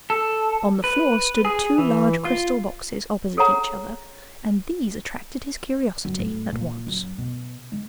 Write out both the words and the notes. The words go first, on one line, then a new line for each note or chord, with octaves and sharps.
On the floor stood two large crystal boxes opposite each other, and these attracted his curiosity at once.
A4
B4
G#4
E3
F4
G#4 A4 C#5 F#5 A#5
F#2
A2
A#2
F#2
B2
G#3